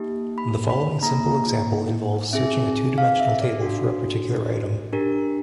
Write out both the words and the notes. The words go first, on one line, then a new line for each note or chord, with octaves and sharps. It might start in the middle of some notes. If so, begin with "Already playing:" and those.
The following simple example involves searching a two-dimensional table for a particular item.
Already playing: A#3 D#4 G4
B5
B5
A#3 D#4 G#4 A#5
C4 D#4 G#4 E5
F5
E5
D5
D4 F#4 A4
D4 G4 A#4